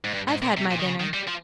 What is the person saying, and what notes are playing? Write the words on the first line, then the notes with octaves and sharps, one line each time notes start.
I've had my dinner.'
G#2
G2
G#2
A#2
C3
A#2
D#3
C#3
D#3
G3
F3